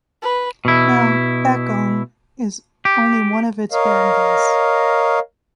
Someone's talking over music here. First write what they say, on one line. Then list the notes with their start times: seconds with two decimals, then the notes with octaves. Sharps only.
Now, Bacong is only one of its barangays.
0.22 B4
0.65 B2 E4
2.85 G4
3.72 A#4 C#5 D#5 F5